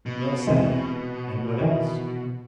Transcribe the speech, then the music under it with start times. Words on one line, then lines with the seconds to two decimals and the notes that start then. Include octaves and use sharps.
'Well said; and what else?
0.06 B2
0.47 C3 E3 G#3
1.61 D#3 E3